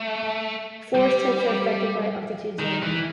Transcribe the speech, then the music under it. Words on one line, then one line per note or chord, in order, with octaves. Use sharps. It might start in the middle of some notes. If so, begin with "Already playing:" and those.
Forest types are affected by altitude zoning.
Already playing: A3
G3
D#3
E3